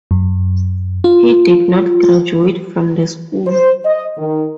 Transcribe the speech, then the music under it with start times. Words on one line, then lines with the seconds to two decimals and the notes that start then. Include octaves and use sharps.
He did not graduate from the school.
0.11 F#2
1.04 F4
3.47 C5
3.85 D#5
4.18 D#3